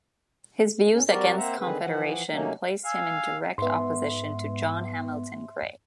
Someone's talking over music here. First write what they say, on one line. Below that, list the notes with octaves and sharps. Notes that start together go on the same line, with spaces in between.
His views against Confederation placed him in direct opposition to John Hamilton Gray.
F#2 C#4
G3 C4 F#4 G4 A#4 D5
A#3 C4 C5 E5 F#5 A#5
D3 D#3 C4 G#4 B4
E3 F3 F#5
C3 F#3 A3 A#3 C#4 D#4
F5 G#5 E6
G#2 B3 E5 C6